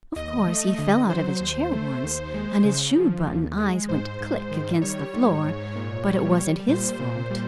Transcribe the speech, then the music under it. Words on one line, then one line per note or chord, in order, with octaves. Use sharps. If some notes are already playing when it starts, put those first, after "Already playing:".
Of course, he fell out of his chair once, and his shoe button eyes went "Click!" against the floor, but it wasn't his fault.
D#2 D#5
A3
D3
F#3 C5
D#2
A3
D#2
G#3
C#3
F3
D#2
G#3
G#2 C5
G#2
D#3
G3 C#5
G#2
G#2
A#2
G3
G3
A#2 C5
A#2
G3